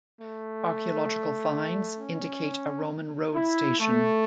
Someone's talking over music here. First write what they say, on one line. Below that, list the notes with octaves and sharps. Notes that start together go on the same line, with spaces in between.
Archaeological finds indicate a Roman road station.
A3
C#4
E4
A3